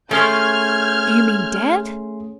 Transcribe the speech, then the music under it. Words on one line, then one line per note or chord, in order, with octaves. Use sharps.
Do you mean dead?
A3 C#4 G#4 C6 F6 G6 G#6